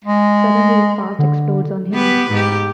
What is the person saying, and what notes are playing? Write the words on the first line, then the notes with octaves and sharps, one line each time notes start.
Suddenly his past explodes on him.
G#3
D3
B3 G4 B4
G#2 G4